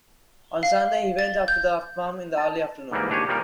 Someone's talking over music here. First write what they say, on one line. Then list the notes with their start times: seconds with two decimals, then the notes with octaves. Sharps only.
On Sunday he went up to the farm in the early afternoon.
0.63 F5
1.19 A6
1.48 G6
2.37 A5
2.91 G#2 E3 G3 A#3
3.10 D#2 D4 G4 C#5 G#5
3.28 A#2 F3 G3 A#3 D#4